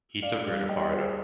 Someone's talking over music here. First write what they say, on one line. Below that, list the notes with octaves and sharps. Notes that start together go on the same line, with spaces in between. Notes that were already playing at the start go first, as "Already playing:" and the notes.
He took her to Barda.
D4 D5 F5
G3 D5 F5
G3 D#5 G5
F4 G#4 C5